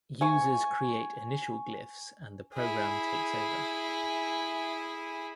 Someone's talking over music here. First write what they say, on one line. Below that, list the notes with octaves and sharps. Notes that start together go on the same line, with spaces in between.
Users create initial glyphs and the program takes over.
G#5 C#6
E4 G#4